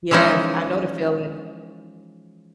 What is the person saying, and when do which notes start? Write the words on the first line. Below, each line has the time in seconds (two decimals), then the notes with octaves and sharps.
Yes. I know the feeling.
0.11 E3 F3 G#3 C#4 D#4